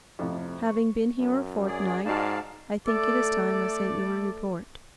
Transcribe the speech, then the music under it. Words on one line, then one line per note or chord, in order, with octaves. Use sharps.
Having been here a fortnight, I think it is time I sent you a report.
F2 A2 C3
C#6
F#2
G#4 D5
G#2 D#4 F#4 D5 F5 A5
A3 A4 D5